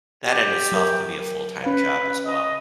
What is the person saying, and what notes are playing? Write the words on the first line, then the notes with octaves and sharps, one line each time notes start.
that in itself can be a full-time job as well.
G4
F#3 A#4
C#4 B4 F5
D#5